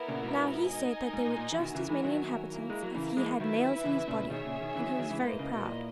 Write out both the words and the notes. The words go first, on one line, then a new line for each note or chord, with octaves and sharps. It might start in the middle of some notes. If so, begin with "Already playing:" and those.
Now he said that there were just as many inhabitants as he had nails in his body; and he was very proud.
Already playing: B3 E4 A#4
A#2 C#3
G#2 B2
D#4 A#4 D#5 G#5
G#2
A#2
A#2
E3
B2 D#3 F#4 A#4 E5 G#5
C#3 E3
E3 G#3
D#3 F#3
A#3 E4 A#4
G#3
F#3
C#3 E3
E3 G#3
D#3 F#3 E4 B4 E5
C#3 E3
A#2 C#3
B2 D#3 G#4 C#5 E5 G#5
A#2 C#3
B2 D#3
C#3 E3
D#3 F#3
D#3 F#3
C#3 E3
G#2 A#3 E4 B4 D#5
C#3
B2
A#2